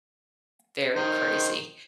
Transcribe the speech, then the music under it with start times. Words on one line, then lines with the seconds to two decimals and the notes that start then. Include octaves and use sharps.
very crazy
0.96 D#3 C5